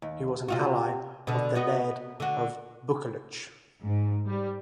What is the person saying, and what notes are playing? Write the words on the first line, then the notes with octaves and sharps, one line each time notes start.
He was an ally of the Laird of Buccleuch.
D#2
C3 F4 F#4
B2 D3
B3 F#4 D#5
D3 F#4
G#2
G3